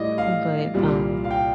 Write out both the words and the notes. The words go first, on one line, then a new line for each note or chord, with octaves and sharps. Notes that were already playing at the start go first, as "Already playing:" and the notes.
but, um
Already playing: A2 G3 D5 D#5
F5
C2 A#2 G3
F5
G5